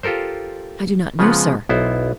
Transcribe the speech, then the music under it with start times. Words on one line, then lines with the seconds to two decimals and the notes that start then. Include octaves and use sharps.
"I do not know, sir."
0.03 F4 G4 A4 A#4 C5
1.19 C#3 F3 G#3 B3 F4 F#5
1.69 B1 B3 E4 C5